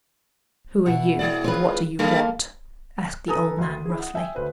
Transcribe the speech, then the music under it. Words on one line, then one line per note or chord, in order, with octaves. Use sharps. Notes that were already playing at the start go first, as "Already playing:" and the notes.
'Who are you, and what do you want?' asked the old man roughly.
B2 E4 F#5
G#3 G#4 D5
C4 F4 B4
F#3 A#3 D4 G#4 A4 F5
A4 B4 G#5 A#5 D#6
D2 C6
E4 G#4
F#5
E5 G5 G#5
D2 B4 C5